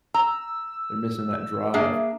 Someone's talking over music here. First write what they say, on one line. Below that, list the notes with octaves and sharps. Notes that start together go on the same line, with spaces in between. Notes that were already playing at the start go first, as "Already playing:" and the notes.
They're missing that drive,
A#5 E6
A#3 D4 G#4 E5